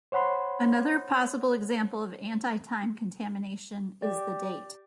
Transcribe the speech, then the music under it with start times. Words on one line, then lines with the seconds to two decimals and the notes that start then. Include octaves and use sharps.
Another possible example of anti-time contamination is the date.
0.12 C5 C#5 F#5 B5 C6
4.02 G4 D5